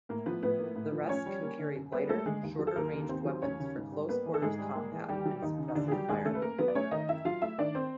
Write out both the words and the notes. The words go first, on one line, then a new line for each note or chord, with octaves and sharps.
The rest can carry lighter, shorter-ranged weapons for close-quarters combat and suppressive fire.
A2 A#3 A#4
F3 B3 B4
A2 B3 B4
A#3
A2
F3
F#2 C#4 C#5
G3
A#3
D3
F#2
G3 B3 B4
A3 A#3 A4
D3 G#3 G#4
D#2
F#3
A4
D#2 A#3 A#4
C#3
D#2 C4 C5
F#3
D#2 C#4 C#5
C#3
G#2
G3
A#3 B3 B4
E3
A4
G#2 G#3 G#4
G3
A#3
E3
D#2 G3 G4
F#3
D#2 D#3 D#4
C#3
D#4
D#2 D3 D4
G#4
F#3 G3 G4
D#2 G#3 G#4
C#3 A3 A4
B4
F#2 A#3 A#4
F#3 B3 B4
D5
A3 C#4 C#5
D#3 D#4 D#5
F#2 E4 E5
F#3 F4 F5
A3 E4 E5
D#3 D4 D5
C4 C5